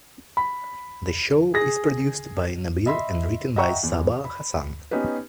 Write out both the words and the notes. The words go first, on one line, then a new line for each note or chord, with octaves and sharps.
The show is produced by Nabeel and written by Saba Hassan.
B5
G#4 A#6
D#5 E5 B5 C6 B6
D#5 E5 F#5 G5 A#5 C#6
E2
B5
B3 C#4 D#4 G4 B4